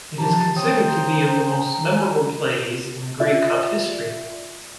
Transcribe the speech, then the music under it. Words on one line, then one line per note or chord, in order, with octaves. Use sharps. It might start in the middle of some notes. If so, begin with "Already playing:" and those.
It is considered to be of the most memorable plays in Grey Cup history.
E3 F3 G4 A5 A#5
C5 C#5 G5 D#6
F4 D5 E5